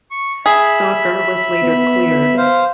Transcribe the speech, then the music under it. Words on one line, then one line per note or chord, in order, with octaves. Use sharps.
Stalker was later cleared.
C#6
G#4 E5 B5
B3
C5 F5